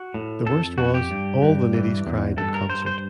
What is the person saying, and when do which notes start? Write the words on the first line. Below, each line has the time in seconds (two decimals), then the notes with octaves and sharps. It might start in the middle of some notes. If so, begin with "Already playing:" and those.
The worst was, all the ladies cried in concert.
Already playing: F#4
0.14 A2
0.46 F2 A4
0.78 F2 F#4
0.94 G4
1.11 G2
1.42 G2
1.74 E3
2.07 E2
2.37 G2 A4
2.54 A#4
2.69 G2 C5
2.86 C5